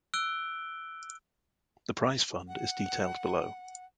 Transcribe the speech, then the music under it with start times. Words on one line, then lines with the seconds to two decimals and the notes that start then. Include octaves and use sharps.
The prize fund is detailed below.
0.14 E6 F#6 D7 G7
2.48 F#5